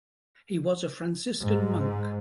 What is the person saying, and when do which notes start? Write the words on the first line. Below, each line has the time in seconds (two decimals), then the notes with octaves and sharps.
He was a Franciscan monk.
1.41 G#2